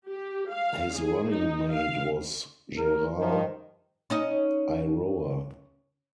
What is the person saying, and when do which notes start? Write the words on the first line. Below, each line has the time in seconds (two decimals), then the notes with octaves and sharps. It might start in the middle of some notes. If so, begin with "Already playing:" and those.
His running mate was Gerard Iroha.
0.10 G4
0.51 F5
0.96 G#4
1.32 D#4
1.75 F5
2.77 A#4
3.17 D#3 F3
4.10 C#4 D#4 D#5